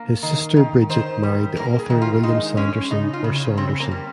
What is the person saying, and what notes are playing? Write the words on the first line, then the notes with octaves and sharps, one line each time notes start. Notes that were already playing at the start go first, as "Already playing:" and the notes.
Her sister Bridget married the author William Sanderson or Saunderson.
Already playing: A#3
D#3
D#3
D#3 C5
G3
A#3 A#4
G#4
D#3
F4
G#3 D#4
G#3 C#4
C#3 D#4
F4
C#3
C#4
C#3 C4
A#3
G3